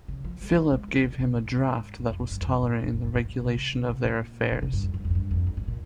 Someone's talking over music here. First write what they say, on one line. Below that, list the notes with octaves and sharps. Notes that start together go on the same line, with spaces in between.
Philip gave him a draft that was tolerant in the regulation of their affairs.
C#3
F3
G3
G#3
A#3
G#3
F3
C#3
D#3
A#2
C3
A#2
G#2
G#2
G2
F2
G2
G2
F2
G2
G#2
G2
G2
G2
G#2
A#2
C3
C3
C#3
C3
A#2
C3
C#3
G2
F2
G2
F2
G#2
G2
F2
G2
G#2
A#2